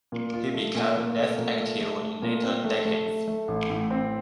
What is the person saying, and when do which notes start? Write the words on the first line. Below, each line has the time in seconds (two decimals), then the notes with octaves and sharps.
He became less active in later decades.
0.12 A#2
0.34 F4
0.54 A3
0.75 A#2
0.96 A#2
1.17 A3
1.38 A#2
1.60 A3
1.81 A3
2.01 A3
2.22 A#2
2.44 C4
2.64 A3
2.85 A3
3.06 A3
3.28 A3
3.48 A1
3.70 A2
3.91 C4